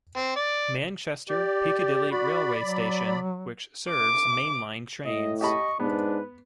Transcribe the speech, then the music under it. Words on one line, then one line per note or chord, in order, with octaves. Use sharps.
Manchester Piccadilly railway station, which serves mainline trains.
C4
D5
G4 D5
F#4 D5 B5
F#3
D6
A2 D#5
G4 D#5 A5 B5 C#6
G#2 B3 D4 B4